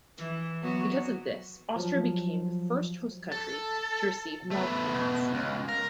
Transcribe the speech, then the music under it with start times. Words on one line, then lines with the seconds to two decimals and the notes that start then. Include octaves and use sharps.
Because of this, Austria became the first host country to receive nul points.
0.18 E3
0.62 F#3 B3 F#4
1.76 F3 F#3
3.32 A4
4.51 A3 B3
4.94 B2
5.34 C#2
5.69 A#4